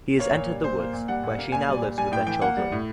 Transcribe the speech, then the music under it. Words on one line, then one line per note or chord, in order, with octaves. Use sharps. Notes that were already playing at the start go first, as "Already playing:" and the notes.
He has entered the woods where she now lives with their children.
A#3 C#5
A#2
G3
A#2 C5
A#3
A#2
G3 F#5
A#2
A#3
A#2 G#5
G3
A#2
G3 G#5
A2 G5
E3 G5
A#3 F#5
G3
A2